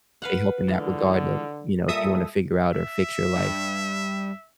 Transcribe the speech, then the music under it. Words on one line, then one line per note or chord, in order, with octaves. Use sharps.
they help in that regard of, you know, if you wanna figure out or fix your life.
B4 F5 F#5
D3 E3 G#3 F4
A#2 G3 A4 D#5 E5 D#6
E5
G2